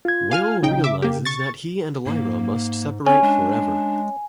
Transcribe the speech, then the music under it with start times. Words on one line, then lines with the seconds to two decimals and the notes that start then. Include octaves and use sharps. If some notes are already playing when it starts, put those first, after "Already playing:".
Will realises that he and Lyra must separate forever.
0.05 F4 G#6
0.31 F5 G#5 F6
0.62 A#1 C#3 D#4 G5
0.84 E5 D6
1.02 A#3 G4
1.25 C#6 A6
2.06 G#2 A#3
3.06 C4 C#4 C#5 G#5
3.23 G#3 D4